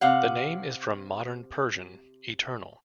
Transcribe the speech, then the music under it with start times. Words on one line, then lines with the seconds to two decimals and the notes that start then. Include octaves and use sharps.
The name is from Modern Persian "eternal".
0.01 C3 F5 F#5